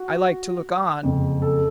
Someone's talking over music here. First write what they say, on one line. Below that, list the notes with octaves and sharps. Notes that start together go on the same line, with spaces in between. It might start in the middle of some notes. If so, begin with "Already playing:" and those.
I like to look on.
Already playing: F#4
F#1 F2 C#3
A4